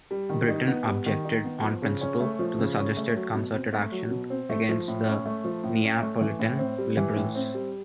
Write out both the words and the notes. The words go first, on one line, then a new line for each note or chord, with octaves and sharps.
Britain objected, on principle, to the suggested concerted action against the Neapolitan Liberals.
G3
D#3
D#4
B3
G3
D#3
D#4
B3
F3
C#3
C#4
A3
F3
C#3
C#4
A3
F#3
B2
C4
A3
F#3
B2
C4
A3
F3
A2
C#4
A3
F3
A2
C#4
A3
E3
A2
C4
G3
E3
A2
C4
G3